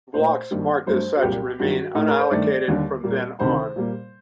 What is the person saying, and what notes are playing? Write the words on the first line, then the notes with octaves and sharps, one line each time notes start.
Blocks marked as such remain unallocated from then on.
A#2 A3 C5
G2 D#3 G3 A#3
G2 F#3 A3 C5
F#4
C2 A#2 F#3 A#3 G4
G2 D#3 F#3 F#4
A2 A3 D#4
A#4
C5
G2 D#3 A3 D5
D#2 D3 G3
A#2 G3 A#3
D2 C3 D#3 C5
A#2 G3 A#3